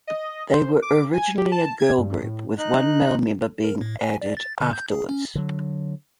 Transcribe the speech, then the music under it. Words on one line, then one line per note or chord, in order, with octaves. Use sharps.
They were originally a girl group, with one male member being added afterwards.
D#5
C5
D6
G#5
G4
A5
G#6
G2
A2
D#4 F#6
A#4
A2
G#5
D5
A6
D3
G6
G#4
C#4
D3 F#3